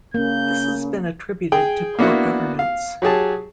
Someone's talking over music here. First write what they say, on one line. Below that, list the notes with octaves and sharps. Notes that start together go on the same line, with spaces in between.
This has been attributed to poor governance.
C#3 A#3 G6
G#4 G5
A#3 B3 D4 E4 F#4
F5
F#3 G4 G#4 A5